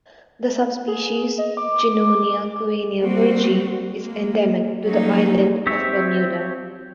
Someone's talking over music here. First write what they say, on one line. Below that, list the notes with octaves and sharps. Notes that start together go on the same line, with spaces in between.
The subspecies "Junonia coenia bergi" is endemic to the island of Bermuda.
G#4
D#5
D6
D6
G3 A#3 C4 F#4
G#3 A#3
F#3 G3 A#3 C#4 D#4
C4 G4 C#5 E5